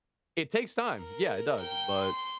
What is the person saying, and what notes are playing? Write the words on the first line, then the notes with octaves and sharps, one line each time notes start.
it takes time. Yeah, it does. But,
A#4
G5
C6